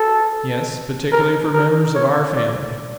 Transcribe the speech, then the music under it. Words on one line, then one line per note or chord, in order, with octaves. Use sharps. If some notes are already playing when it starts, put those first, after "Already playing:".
"Yes. Particularly for members of our family."
Already playing: A4
A#4
A#4
C#5
D5